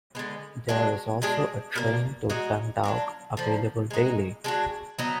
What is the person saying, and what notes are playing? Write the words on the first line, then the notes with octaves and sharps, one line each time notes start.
There is also a train to Dundalk available daily.
D3 G#3 B3
G#3 D4 F#4
B2 G#3 D4 G#4
B2 A#3 D4
G#3 D#4 F#4
F#3 D4 F4
D3 F3 A#3
G#3 D#4 F#4
G#3 D4 F#4
F#3 B3 D#4